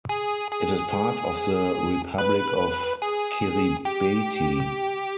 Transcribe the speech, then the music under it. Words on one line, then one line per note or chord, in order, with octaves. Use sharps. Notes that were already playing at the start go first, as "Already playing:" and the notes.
It is part of the Republic of Kiribati.
G#4
G#4
B4
G#4
G4